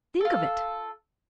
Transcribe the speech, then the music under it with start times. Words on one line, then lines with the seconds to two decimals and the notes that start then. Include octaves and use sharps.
Think of it!
0.21 F4 A4